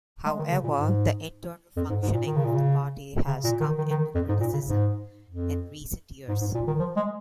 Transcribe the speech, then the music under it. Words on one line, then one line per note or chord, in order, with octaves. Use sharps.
However, the internal functioning of the party has come into criticism in recent years.
G#3
D#3
C#3
A#2
G#2
F2
G#2
G#2
A#2
D#3
C#3
A#2
C#3
C#3
A#2
D#3
D#3
D#3
F2
G#2
A#2
C#3
G#2
F2
G#2
G#2
A#2
D#3
F3
G#3